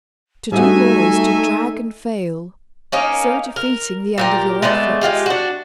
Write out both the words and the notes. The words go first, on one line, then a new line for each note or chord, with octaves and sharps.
To do more is to drag and fail, so defeating the end of your efforts.
G3 A3 D#4 F#4 E5 G#5
A#3 C#4 D#4
A#4
A#2 G4 A#4
G#3 A3 B3 D5
G#3 A3 F4 G4
D4 F#4